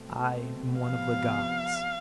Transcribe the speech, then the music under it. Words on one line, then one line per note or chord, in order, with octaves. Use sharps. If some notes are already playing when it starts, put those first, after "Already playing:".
I am one of the gods.
Already playing: B2 A3 C4
C3 F3 B3 F5